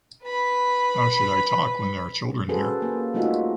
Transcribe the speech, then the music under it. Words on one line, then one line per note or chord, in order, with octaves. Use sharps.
How should i talk when there are children here?
B4 B5
C#4 F#4 G#4 A4 B4 C5
A#3
G3 A3 D#4 F4 F#4 E5